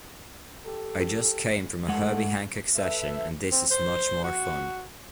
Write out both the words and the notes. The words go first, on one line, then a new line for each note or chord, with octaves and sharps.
I just came from a Herbie Hancock session and this is much more fun.
G4 A4
G2 A#2 G#3 A3 F#5
A4 B4 E5
C4
C5
F#4